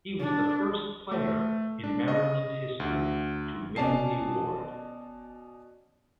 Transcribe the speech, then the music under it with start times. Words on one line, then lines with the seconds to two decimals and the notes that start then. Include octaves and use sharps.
He was the first player in Maryland history to win the award.
0.20 D4
1.11 A3
1.84 D4
2.08 D#5
2.80 D2
3.76 B2 C#4 D5 A5 C7